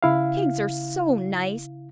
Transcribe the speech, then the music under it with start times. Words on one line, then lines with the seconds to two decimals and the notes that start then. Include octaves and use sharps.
"Pigs are so nice!"
0.03 C#3 E4 F5